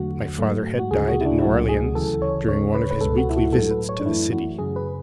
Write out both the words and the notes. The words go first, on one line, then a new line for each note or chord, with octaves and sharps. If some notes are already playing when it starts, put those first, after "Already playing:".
My father had died at New Orleans during one of his weekly visits to the city.
Already playing: E2 D3 F#3 A3 F#4
G#2 F#3 A3
F#4
D2 C#3 G#3 G#4
F#4
E4
D4
E4
C#2 B2 F#3 A3 F#4
G#4
D2 C#3 E3 A4
C#5
D2 C#3 G#3 C#5
B4
B4
C#2 B2 G#3 A4
F#4
E4
F#4
A2 F#3 A3 A4
B4
C#5
D4
F#2 E3 A3 E4
F#4
F#2 C#3 F#3 G#4
B4